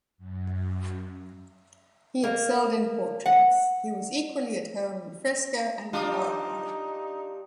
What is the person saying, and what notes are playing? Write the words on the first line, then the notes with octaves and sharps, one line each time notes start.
He excelled in portraits; he was equally at home in fresco and in oil-color.
F#2
A#3
F#5
G3 D4 D#4 F4